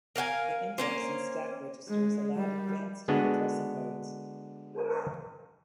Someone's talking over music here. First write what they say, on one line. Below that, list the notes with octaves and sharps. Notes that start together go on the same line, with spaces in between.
The index and stack registers allowed advanced addressing modes.
A#4 F5 F#5 G#5
A#3 C#4 C5
G#3
G3
D3 G#3 B3 D4 F#4 G#4